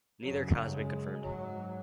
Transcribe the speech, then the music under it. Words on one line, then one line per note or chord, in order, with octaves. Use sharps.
Neither account has been confirmed.
F#2 C#3 F#3
G#3
G#2 F#3